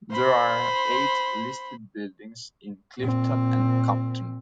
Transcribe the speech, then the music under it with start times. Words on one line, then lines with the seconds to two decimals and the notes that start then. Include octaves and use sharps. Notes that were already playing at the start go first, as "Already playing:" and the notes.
There are eight listed buildings in Clifton and Compton.
0.11 C5 B5
2.98 A#2 C4